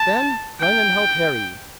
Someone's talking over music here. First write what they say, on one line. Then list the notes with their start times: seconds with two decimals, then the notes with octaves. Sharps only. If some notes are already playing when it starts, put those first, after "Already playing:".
Ben, run and help Harry.
Already playing: A5
0.60 G5